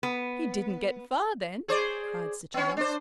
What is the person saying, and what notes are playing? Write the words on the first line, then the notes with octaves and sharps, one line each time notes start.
"He didn't get far, then!" cried Sir Charles.
B3
G#4 C5 D5
B3 C#4
D4 C5